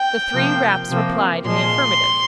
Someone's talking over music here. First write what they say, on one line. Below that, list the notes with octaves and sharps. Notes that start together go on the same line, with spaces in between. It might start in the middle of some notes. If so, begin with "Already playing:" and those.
The three raps replied in the affirmative.
Already playing: G5
C3 F3 A#3
C3 F3 A#3
A#2 F3 G#3 C6